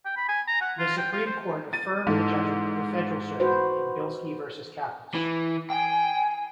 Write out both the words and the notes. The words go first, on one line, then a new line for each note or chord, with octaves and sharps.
The Supreme Court affirmed the judgment of the Federal Circuit in "Bilski versus Kappos".
G5
B5
G#5
A#5
F#5
F4
G5
F4
C5
A6 D#7
G#2 E3 D#4 A4
F#4 B4 C5
E3
G5 G#5